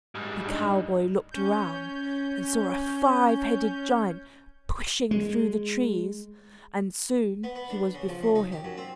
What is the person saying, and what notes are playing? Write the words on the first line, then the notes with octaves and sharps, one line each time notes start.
The cowboy looked around and saw a five-headed giant pushing through the trees; and soon he was before him.
G#2 G3
G2 D#4
C#4 G6
G#3
B3
B3
D4
C#3
F3
C#3
D#4
G4
F#2
C4